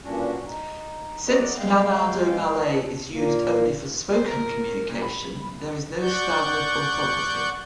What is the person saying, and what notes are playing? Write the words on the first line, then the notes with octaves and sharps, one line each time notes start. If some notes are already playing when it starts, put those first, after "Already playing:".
Since Manado Malay is used only for spoken communication, there is no standard orthography.
G2 A#2 C#4 D4 F#4
D#4
A#4 D5 D#5 F#5
G#3 F5 G5
E3 F3 A4 D#5 A5
A#2 A#3
C5
A#4
A#2
B5
D5 F#5 C#6 G6